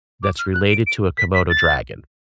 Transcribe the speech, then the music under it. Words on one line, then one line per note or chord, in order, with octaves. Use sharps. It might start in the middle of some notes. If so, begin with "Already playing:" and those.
that's related to a Komodo dragon.
D6
F6
F#6
D7
D7
B6
B6
A6